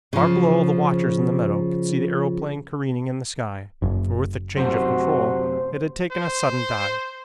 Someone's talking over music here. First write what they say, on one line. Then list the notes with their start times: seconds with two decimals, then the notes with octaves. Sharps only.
Far below the watchers in the meadow could see the aeroplane careening in the sky, for with the change of control it had taken a sudden dive.
0.13 C#3 F3
3.82 F#1
4.56 F#2 C3 A3 F#4 C5
6.11 C5